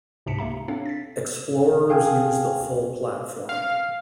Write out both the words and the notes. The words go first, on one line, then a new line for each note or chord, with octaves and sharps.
Xplorers use the full platform.
C#2 G#2 C3 A5 B6 C#7
A#3 G4 E5 A#5
C4 D4 A4 C#5 F5
A6 B6
G#4 F5 G5 G#5
F5